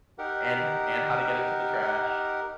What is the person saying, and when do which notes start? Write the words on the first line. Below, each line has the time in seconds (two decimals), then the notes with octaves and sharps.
and ho and how to get into the trash
0.18 D#4 G4 A#4 F#5